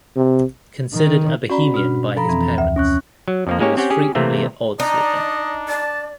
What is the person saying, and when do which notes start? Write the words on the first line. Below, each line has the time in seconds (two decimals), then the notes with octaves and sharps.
Considered a bohemian by his parents, he was frequently at odds with them.
0.16 C3
0.94 D#3
1.50 C#4 F#4 D5 A#5 B5
1.74 B2 D4 F6
2.17 F3 A4 A#5 B5
2.28 F2 E3 C4
2.58 D2 E5
2.76 C#4 C#6 F#6
3.28 F#3
3.47 F2 F3 A#3
3.60 G#3 A#3 C#4 G4 C#5
3.77 C4 C#4 G4 C#5 F#5 G5
3.90 C#4 G4 G#4
4.15 C3 E3 A3 A#3 C4
4.80 D4 D#4 D5 D#5
5.68 D5 A5